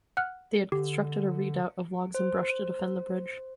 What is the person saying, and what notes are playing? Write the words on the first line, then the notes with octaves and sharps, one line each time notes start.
They had constructed a redoubt of logs and brush to defend the bridge.
F#5 F6 F#6
D3 G4
C5